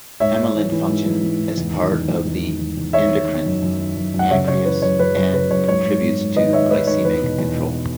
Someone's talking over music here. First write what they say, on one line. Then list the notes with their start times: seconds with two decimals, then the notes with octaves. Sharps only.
Amylin functions as part of the endocrine pancreas and contributes to glycemic control.
0.20 G#2 C#5 E5
0.37 G#2
0.55 E3
0.72 E3
0.88 G#2
1.06 E3
1.23 E3
1.39 G#2
1.57 E2
1.73 D#3
1.91 E2
2.08 E2
2.25 E2
2.43 D#3
2.59 E2
2.77 E2
2.93 D#3 C#5 E5
3.10 D#3
3.29 D#3
3.46 F#2
3.62 F#2
3.79 D#3
3.97 F#2
4.14 F#2
4.19 F#5
4.31 C#3 C#5 E5
4.48 C#3 C#5
4.65 E3 B4
4.82 F#2 C#5
4.99 F#2 B4
5.16 F#2 C#5
5.33 C#3 B4
5.51 F#2 C#5
5.68 G#2 C#5
5.85 G#2
6.02 G#2
6.19 G#2
6.36 D#3 B4 D#5
6.53 D#3 C#5 E5
6.70 G#2 B4 D#5
6.87 D#3 C#5
7.04 E2 B4
7.22 B2
7.38 E2
7.56 B2